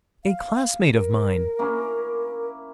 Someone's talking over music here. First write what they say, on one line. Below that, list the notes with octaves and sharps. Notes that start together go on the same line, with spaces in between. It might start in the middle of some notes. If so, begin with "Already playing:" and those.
"A classmate of mine."
F5
A#4
A#3 C#4 E4